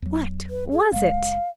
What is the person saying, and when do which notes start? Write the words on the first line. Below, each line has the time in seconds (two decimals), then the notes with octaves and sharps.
What was it?
0.02 E2 F#3
0.50 B4
0.72 G#4
0.92 F#1 G#3 F5